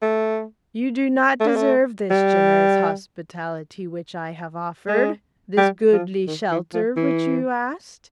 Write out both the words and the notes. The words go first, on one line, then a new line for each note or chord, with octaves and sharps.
You do not deserve this generous hospitality which I have offered, this goodly shelter which you asked.
A3
A3
A#3
A3
G3
G#3
G3
F3
D#3
E3
F3
E3